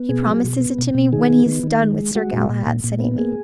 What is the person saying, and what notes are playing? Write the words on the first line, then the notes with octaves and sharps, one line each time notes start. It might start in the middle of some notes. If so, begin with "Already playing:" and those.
He promises it to me when he has done with Sir Galahad,' said Amy.
Already playing: B3
B2 G#4
F#3
B2
B3
B2
B2
D#3 G#4
B3
D#3
D#3
G#3
G#3
G#3 F#4
A#2
A#2
A#2
A#2
B3
A#3 G#4